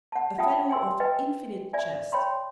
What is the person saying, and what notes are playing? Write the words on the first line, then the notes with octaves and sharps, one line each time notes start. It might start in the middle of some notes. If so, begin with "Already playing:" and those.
A fellow of infinite chest.
F#5 A5
F4 E5 F#5 G5 A5 D#6
G5 G#5 C6 E6
B4 D#5 G5 G#5
D5 E5 G#5
C#5 G5 B5 C6